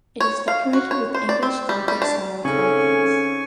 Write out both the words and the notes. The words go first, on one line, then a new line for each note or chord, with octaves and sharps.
It is decorated with English Gothic style carvings.
C#5
F5
F#4
C#5
C5
D5
C4
G3
G3
D4
C#3 C4 C#4 D#4 A4 G#5 C#6